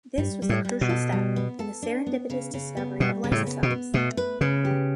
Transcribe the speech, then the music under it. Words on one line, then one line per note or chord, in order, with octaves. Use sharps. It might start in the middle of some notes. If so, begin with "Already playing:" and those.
This was the crucial step in the serendipitous discovery of lysosomes.
G2 G3
G3
A2
G3
B2
A4
G3
B3
A4
D4
B3
C#3
C#3
B3
B2 G3
C#3
A2
B3
B2
B3
B2 A3
B4
C#3 B4
G4